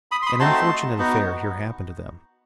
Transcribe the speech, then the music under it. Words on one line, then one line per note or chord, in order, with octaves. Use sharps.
An unfortunate affair here happened to them.
B5 D#6
C6
B5 D#6
A3 C4 D#4 F#4 A5 C6
B3 D#4 F#4